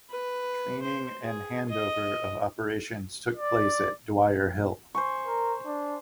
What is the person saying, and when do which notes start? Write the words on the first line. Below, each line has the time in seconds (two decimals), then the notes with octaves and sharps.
Training and handover of operations took place at Dwyer Hill.
0.10 B4
0.82 C5
1.22 G#4
1.69 D#5
3.37 D5
4.95 C5 G#5 C#6
5.27 A#4
5.65 D4